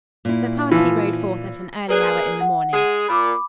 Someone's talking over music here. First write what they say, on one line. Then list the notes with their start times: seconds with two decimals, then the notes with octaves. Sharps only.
The party rode forth at an early hour in the morning.
0.25 A#2 E4
0.72 E3 F3
1.88 A#3 G#4 B4 D5 F#6
2.40 F#5
2.73 G#3 G#4
3.08 A#2 B5 D6